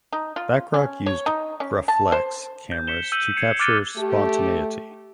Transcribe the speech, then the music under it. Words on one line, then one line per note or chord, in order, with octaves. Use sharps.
Bachrach used Graflex cameras "to capture spontaneity".
D#4
F4
C#4
C#5
D#4
C#4
A5
C5
G6
B6 C#7 E7 G7
E6 G6 D#7 F#7
G#6 C7 C#7 F7
D6 F6 F#6 A6 D#7 G7
A3 G4